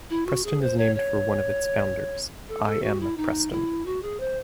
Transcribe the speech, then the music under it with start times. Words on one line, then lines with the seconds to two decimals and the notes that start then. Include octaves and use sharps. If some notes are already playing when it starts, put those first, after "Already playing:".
Preston is named for one of its founders, I. M. Preston.
0.10 E4
0.26 F#4
0.44 G#4
0.61 C5
0.78 C#5
0.95 C#5
2.48 A4
2.65 A4
2.83 F#4
3.00 E4
3.17 D#4
3.51 E4
3.85 F#4
4.02 G#4
4.20 C5